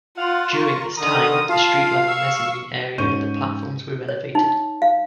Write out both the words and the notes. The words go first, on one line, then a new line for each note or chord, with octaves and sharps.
During this time, the street level mezzanine area and the platforms were renovated.
F4 F5 F#5
A#4 C#6
D3 D#3 A#5 D#6
F4 F5 A5
C#6 E6
G#2 C#4 C#6 G6 D#7
C#5
D#4
F5